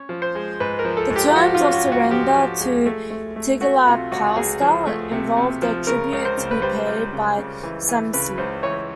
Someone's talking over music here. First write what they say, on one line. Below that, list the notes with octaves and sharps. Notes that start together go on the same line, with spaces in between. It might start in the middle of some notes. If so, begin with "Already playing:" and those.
The terms of surrender to Tiglath-Pileser involved a tribute to be paid by Samsi.
Already playing: C#4 C#5
F3
C5
G#3
G#2 B4
A#4
F3
A4
G#2
G4
F4
F3 F#4
F4
C#4
F#4
G#2
F#4
F3 G4
F3
G#3
A3
A3
A3
A3 F#4
C3 F4
C#2 F#4
C#2 G#4
F3
A3
C3
C3
F3
C#3 A#4
C#2
C5
C#3
B4
G3 C5
C#2
C#3
C#3
E3
E3
C#3 B4
C#2 C5
E3 C#5